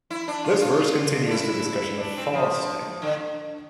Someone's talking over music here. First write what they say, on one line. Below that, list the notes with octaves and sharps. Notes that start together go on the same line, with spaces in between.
This verse continues the discussion of fasting.
E4
D4
F4
F4
D4
E4
D4
C4
F3
D3